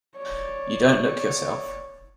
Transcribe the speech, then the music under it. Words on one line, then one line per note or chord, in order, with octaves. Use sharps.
You don't look yourself.
C#5 D5